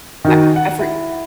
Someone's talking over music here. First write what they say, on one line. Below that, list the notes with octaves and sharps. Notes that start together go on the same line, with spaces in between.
I I for
D#3 D#4 F#4
F#5
E4